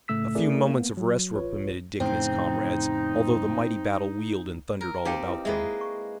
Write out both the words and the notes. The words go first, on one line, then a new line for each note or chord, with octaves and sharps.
A few moments of rest were permitted Dick and his comrades, although the mighty battle wheeled and thundered all about them.
A2 C#3 A3 E6 B6
A3 C4 E4 G#4 A#4 D5
A#3 B3
F#3
A1 F4 B4 C#5
F2 A2 C#3 C4 D#4
A#4
C4 D#4 G4 D#5 F5 G5
E4 B4
G#3 A#3 B4 D#5 E5
C#6